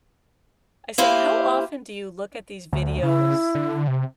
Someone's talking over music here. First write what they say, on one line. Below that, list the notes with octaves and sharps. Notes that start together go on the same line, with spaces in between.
I say, "How often do you look at these videos
A#3 E4 G4 C5
D2
C#3 E4
D3
C3